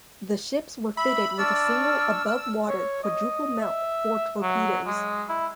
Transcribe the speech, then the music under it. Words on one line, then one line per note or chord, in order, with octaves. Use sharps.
The ships were fitted with a single above-water quadruple mount for torpedoes.
E5 B5
D4 D5 C#6 E6 F6
C#5
D#5
E5
F#3
G#3
E4